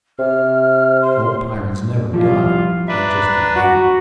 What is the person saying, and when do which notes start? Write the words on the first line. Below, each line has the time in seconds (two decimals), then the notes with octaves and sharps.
Old Pyrrans never died, they just got et.
0.19 C3 F6
1.02 C6
2.14 F3 G3 E4 F4
2.88 D4 B4 E5 A#5
3.56 F#4